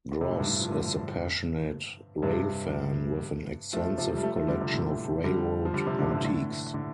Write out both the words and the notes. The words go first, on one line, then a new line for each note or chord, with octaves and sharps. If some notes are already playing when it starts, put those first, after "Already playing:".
Gross is a passionate railfan with an extensive collection of railroad antiques.
C3
A2
G2
A2
F3
A2 D3
G2 C3
F3 A3
C3 F3
G3
F3 A3
F3 A3
D3 G3
C3 F3
A2 D3
D3 G3
F3
D3 G3
C3 F3
A2 D3
G2 C3
A2 D3
A2 D3